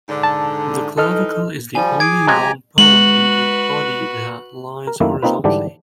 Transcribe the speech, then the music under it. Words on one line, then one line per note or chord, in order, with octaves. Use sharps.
The clavicle is the only long bone in the body that lies horizontally.
G#2 D3
A5
E3 D#4 A4 D#5 F6
F3 G3 G#5
G#4 G#5 D6 G#6 D7
F3 F#3 G#3 G4 G#5 A#5
G#3 F#4 B4 F#7
A#4
F#2 D#3 A3 A#3 E4
A#3 C4 D#4 F4 B4
G#2 D3 E3 G3 D4 G4